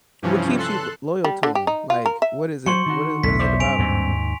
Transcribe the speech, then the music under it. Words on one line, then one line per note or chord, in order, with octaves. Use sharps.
what keeps you l loyal to 'em? Like, what is it what is what is it about 'em?
G2 C3 E3 F3 C#4
A4 C6 F#6
G3
D3
G4
D#4
F4
A#4
E5
F#3 C5 C6 C#6 C#7
D#3 D#4 F#4
B1 E2 A2 B6
E4 C5 D5
G2 C4 G#5 D7 F7
D#2 G#2